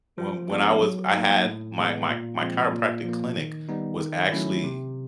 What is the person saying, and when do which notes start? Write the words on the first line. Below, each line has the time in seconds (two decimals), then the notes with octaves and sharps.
When when I was I had my my my chiropractic clinic was actually
0.18 F3
0.50 G#3 B3 D4
0.82 F#3
1.14 A#3 D#4
1.45 A2
1.78 E3 G#3 B3
2.09 A#2
2.41 F3 G#3 C4
2.73 A#2
3.05 F3 A#3
3.36 D#3
3.69 G3 B3 D#4
4.00 D#3
4.32 F#3 A3 C#4 E4
4.64 C3